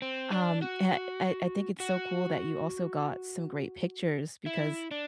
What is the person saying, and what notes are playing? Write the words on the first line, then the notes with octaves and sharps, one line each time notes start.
Um, and I I think it's so cool that you also got some great pictures because,
C4
D4
F#4
F#4
E4
D4